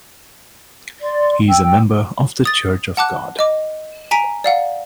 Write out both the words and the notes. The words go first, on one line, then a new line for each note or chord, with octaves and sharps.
He is a member of the Church of God.
D5 C6
G5 E6
D#6 A6
F#5 A5 D6 F#6
D#5 D6
G#5 A#5 B6 D7
D5 F5 F#5